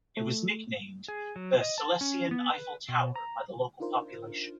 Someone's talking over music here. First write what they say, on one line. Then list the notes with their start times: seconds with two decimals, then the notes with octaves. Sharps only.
It was nicknamed "the Silesian Eiffel Tower" by the local population.
0.17 A3
1.08 G#4
1.36 F#3
1.61 D#5
1.78 A5
2.01 C#4
2.31 B3
2.50 B4
2.89 B2
3.16 A#5
3.80 D4 D#4 F4 A#4 C5